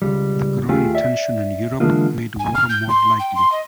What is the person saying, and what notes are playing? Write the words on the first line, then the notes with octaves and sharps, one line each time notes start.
The growing tension in Europe made war more likely.
C#2 G3
D#2 A3 F4 G4 G#4
D5 E5
D3 E3 F#3 G#3 A#3 F4
G#5
F6
G6
C6
G5
C6
D#5